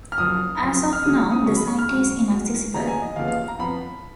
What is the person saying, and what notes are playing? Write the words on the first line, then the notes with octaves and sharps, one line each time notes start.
As of now, the site is inaccessible.
F6
F#1 F#2 F3 D#6
F#1 F#2 F3
F6
D#2 C#3 F#3 D#6
C#6
D#6
D#2 C#3 F#3 C#6
B5
C#6
F6
B1 B2 G#3 C#6
B1 B2 G#3
D#2 C#3 F3 B3 A#5
G#5
D#5
D#2 C#3 F3 B3 F5
F5
F5
A#5
F2 F3 B3 B5